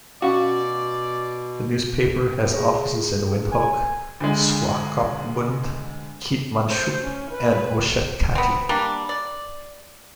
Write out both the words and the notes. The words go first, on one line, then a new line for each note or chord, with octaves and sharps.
The newspaper has offices in Windhoek, Swakopmund, Keetmanshoop and Oshakati.
B2 C#4 F#4 D5 F5
G#4
G#5
D2 D3 G#3
C5
C#4
B4
B3 C4
G3 A#3 D4
D5